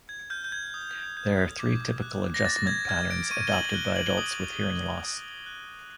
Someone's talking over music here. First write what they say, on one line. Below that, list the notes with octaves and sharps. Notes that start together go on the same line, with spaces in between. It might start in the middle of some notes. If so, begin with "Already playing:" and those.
There are three typical adjustment patterns adopted by adults with hearing loss.
G#6
F6 G6
G6
G#6
D#6
G6
D6
F#6
A#6
D6 A6
G#6
F6 G#6
D7
C#6 D#7
G7
F#7
F#6 G7
F#7
G7
D#6 F#7
F#6
D#6
F#6